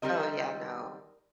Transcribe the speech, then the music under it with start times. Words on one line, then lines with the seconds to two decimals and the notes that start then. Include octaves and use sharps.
Oh, yeah, no.
0.02 D#3 G3 C4 A#4 D#5